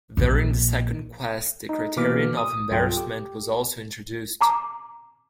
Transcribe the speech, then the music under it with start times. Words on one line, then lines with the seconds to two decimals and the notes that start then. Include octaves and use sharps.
During the second quest the criterion of embarrassment was also introduced.
0.17 A#1 A#2
1.69 D#4
1.96 B2 E3 A#3 D6 F6 B6
2.37 D#6
2.70 C2 G2 F#3 F4 A4 G5
2.97 G4
4.41 A5 A#5 D6